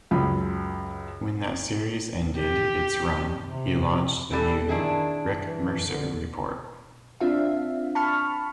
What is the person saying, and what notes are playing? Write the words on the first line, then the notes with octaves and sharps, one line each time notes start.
When that series ended its run, he launched the new "Rick Mercer Report".
C#2 F#2 B5
G4
C3
E3 G3 A4
D#3 D4 E4 G#4
E3
D3
C4 D4 F4 E5 F5
A5 B5 C#6 F6